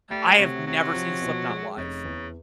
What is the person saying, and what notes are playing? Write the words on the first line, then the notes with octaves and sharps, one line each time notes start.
I have never seen Slipknot live.
G3 A3
C3 F#3
C3 F#3
F3
B2
G#3
F1 C#3
E2